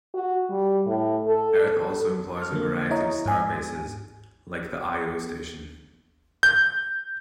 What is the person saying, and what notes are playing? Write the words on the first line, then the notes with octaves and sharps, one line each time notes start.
Earth also employs a variety of starbases, like the Io station.
F#4
G3
A2
A4
A4
A5 F6
D3 A#3
E4 C#5 D#5 A#5
G#2 G#5
G6